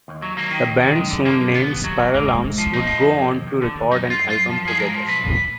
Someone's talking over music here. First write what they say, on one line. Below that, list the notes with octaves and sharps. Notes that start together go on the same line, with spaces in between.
The band, soon named Spiralarms, would go on to record an album together.
D#2
F#3
F#3 A#3
D#3
D#2
D#3
F#2 G#3
D3
D3 A#3
F#2
D#2 B3
D#2
F#3
D#2
G#2 A#3
G#2
G#2
F3
F2 D#4
F3
F2
F2
D#2
D#2
D3
D#2
F#2 D#4
F#2 F4
F#2
F4
F#2
F3
F3 G#4
G#2 A#4
F3
B1 B4
A#2